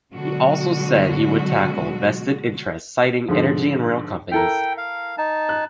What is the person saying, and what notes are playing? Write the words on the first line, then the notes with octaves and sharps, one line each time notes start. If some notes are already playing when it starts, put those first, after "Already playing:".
He also said he would tackle "vested interests", citing energy and rail companies.
B2 D3 F#3 G#3 F#4
G#2 D3 F3
E4 A4 A#4 G5
F5
D#4 A5
F#6